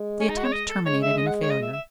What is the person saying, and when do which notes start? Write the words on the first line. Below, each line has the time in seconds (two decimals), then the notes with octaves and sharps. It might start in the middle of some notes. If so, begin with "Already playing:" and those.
The attempt terminated in a failure.
Already playing: G#3
0.20 C#4
0.29 D#4
0.37 F#4
0.44 C#5
0.52 D#5
0.69 A4
0.85 G#3 C#5
1.02 E5
1.18 D#5
1.26 F#5
1.42 C#5
1.51 D#5
1.62 E5
1.73 E5